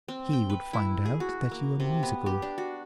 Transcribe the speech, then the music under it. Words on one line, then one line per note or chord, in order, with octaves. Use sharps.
He would find out that you are musical.
C4
G5
B4
E4
G#4
F#4
A#3
C3
B3
G4
D4
F#4